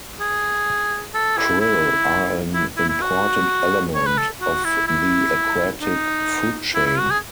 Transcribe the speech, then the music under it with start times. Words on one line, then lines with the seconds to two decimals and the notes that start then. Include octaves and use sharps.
Krill are an important element of the aquatic food chain.
0.20 G#4
1.14 A4
1.38 E4
1.61 E4
2.54 E4
2.77 E4
2.89 E4
3.01 F#4
3.94 C#5
4.06 B4
4.18 A4
4.41 F#4
4.64 E4
4.88 E4
5.81 D#4
6.74 E4
6.86 E4
6.99 F#4
7.11 G#4